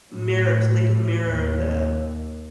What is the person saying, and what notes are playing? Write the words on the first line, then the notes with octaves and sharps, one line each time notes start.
mirror so, they can mirror the
A2
D#2